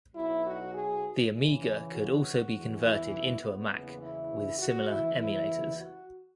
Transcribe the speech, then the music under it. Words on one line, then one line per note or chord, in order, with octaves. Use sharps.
The Amiga could also be converted into a Mac with similar emulators.
B1 B2 F#3 E4
F#4
G#4
E2 C#3 E3
F#4
E2 E3
E4
B3
F#1 E2 C#3 E3
E4
F#4
F#1 E2 E3 E4
E4
F#4